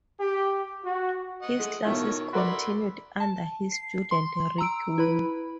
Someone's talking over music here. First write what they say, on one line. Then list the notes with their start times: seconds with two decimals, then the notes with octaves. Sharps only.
His classes continued under his student Rick Wing.
0.20 G4
0.84 F#4
1.42 D#5 F#5
1.60 G#3 A3
1.85 B2 D#3 F3 E4 C#5
2.33 F#4 A#4 D5 B5 C6 E6
3.20 A5
3.72 C7
4.11 C6
4.58 A#5 E6 D7
4.98 E4 B4 B5